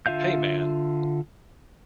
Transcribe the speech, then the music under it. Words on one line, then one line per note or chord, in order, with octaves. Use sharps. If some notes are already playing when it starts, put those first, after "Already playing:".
Hey man!
D3 F4 E5 F5 G6